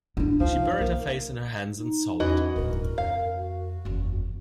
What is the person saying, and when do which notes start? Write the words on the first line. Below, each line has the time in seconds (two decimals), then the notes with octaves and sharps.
She buried her face in her hands and sobbed.
0.17 G#2 D4 E4
0.40 C#2 F3 D#4
0.80 B1 A#3
1.78 D#4
2.20 E2 E3 C#4 F#4 D#5
2.56 D1 G2 A#4
2.98 F2 F5
3.37 F#4
3.85 F#1 E2